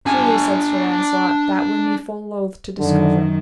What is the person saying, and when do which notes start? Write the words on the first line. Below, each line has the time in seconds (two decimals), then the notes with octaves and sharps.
Truly, said Sir Launcelot, that were me full loath to discover.
0.06 D4 G#5
2.80 F#2 D3 D#3